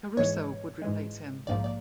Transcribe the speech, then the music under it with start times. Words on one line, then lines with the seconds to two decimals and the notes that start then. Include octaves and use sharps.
Caruso would replace him.
0.17 G#2 E3 G#3 C#5
0.82 G#2 E3 G#3
1.47 A#1 G#2 F3 A#3 D5
1.64 D5